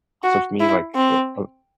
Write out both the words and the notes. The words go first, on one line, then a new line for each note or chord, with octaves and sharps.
So for me, like, yeah, uh
F#4
E4
C4